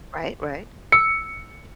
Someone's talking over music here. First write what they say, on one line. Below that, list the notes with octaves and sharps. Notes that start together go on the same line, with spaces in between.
Right, right.
E6 C#7